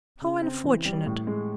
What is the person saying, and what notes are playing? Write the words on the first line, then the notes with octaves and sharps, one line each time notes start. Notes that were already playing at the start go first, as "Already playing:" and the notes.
How unfortunate!
C#3
C4
E3
G3
A2
G#3